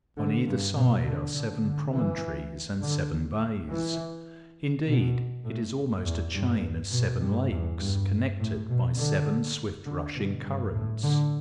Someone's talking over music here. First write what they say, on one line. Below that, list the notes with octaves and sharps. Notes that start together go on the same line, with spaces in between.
On either side are seven promontories and seven bays; indeed, it is almost a chain of seven lakes, connected by seven swift-rushing currents.
D3
G2
B2
D3
D3
D3
E3
D3
E3
B2
A2
E2
G2
B2
G2
E2
G2
A2
B2
D3
D3
B2
G2
A2
D3